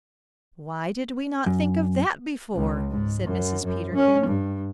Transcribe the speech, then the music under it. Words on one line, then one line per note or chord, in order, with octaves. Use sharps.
"Why did we not think of that before?" said Mrs. Peterkin.
F#2
C#2
G#2
F#2
F#2
C#4
G2